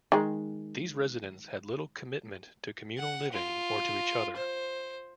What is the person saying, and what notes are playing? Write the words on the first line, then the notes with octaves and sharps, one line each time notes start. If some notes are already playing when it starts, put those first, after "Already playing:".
These residents had little commitment to communal living or to each other.
D#3 G#3
F#5
F4
C5